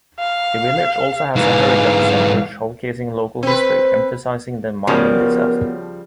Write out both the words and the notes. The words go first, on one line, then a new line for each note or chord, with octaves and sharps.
The village also has a heritage centre showcasing local history, emphasizing the mining disaster.
F5
G#2 E3 F5
C4 B4
C#3 F3 G3 B3 F#4 A#4 C#5 A5